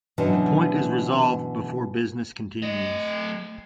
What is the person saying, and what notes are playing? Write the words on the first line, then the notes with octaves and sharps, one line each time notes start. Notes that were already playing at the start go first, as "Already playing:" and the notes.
The point is resolved before business continues.
B2 D3 E3 F#3 C#4
A3 D#5